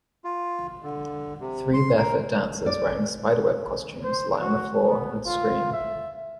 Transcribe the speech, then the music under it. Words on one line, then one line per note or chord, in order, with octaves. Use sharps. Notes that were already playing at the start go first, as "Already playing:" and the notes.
Three barefoot dancers wearing spiderweb costumes lie on the floor and scream.
F4
D3
C3
C6
A#4
D5
C5
F#4
B3
F4
E5